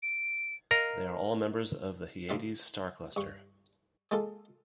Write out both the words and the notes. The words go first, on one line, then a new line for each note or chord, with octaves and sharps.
They are all members of the Hyades star cluster.
D7
A#4 D#5 F5 A#5
D2 F4 E5 F5
G2 C#6
G#3 A#3 F4 A4